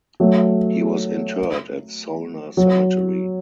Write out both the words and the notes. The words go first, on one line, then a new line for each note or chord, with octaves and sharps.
He was interred at Solna Cemetery.
F#3 A3
F#3